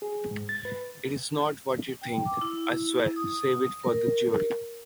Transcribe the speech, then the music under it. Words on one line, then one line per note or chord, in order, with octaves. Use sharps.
It’s not what you think, I swear! Save it for the jury!
G#4
G#2
A6
B4
G5
D6
E4
D#6
A#4